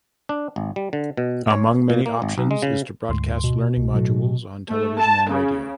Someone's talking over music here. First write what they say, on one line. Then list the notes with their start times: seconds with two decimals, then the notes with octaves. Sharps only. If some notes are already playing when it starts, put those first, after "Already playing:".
Among many options is to broadcast learning modules on television and radio.
0.29 D4
0.56 G#1
0.76 G3
0.93 D3
1.17 B2
1.50 C#5
1.90 A#2
2.06 A#3
2.22 G#1
2.38 B1
2.51 G#3
2.62 C#3
3.09 D2 G#2 C6
3.44 B2
3.77 C2
3.94 A2 F#3 A3
4.70 A3
4.99 A5
5.30 C#3